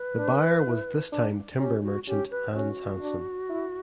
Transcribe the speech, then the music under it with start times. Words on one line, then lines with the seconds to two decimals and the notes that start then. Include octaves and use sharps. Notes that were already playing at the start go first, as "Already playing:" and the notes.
The buyer was this time timber merchant Hans Hansen.
Already playing: B4
0.18 D4
0.66 E4
1.12 D4
1.60 C#4 G4
1.83 F#4
2.07 C#4 G4
2.31 B4
2.54 C#4 F#4
3.02 D4
3.49 E4